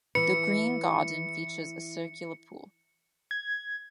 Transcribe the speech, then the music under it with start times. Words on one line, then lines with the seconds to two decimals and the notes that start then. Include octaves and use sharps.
The Green Garden features a circular pool.
0.15 E3 E4 B4 C#7
3.31 G#6